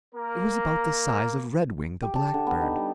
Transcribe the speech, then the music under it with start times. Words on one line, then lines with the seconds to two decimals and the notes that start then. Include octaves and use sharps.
It was about the size of Redwing the Blackbird.
0.14 A#3 A#4 A#5
2.03 G4
2.16 A5
2.34 D3
2.47 B3
2.61 D#4
2.76 G3